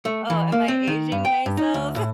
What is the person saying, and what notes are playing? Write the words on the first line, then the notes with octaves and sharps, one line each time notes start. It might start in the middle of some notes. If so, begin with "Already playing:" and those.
Oh, am I aging myself?
A3
E3
A#3
C4
D#3
G2
G5
G2
D#4
D2
A2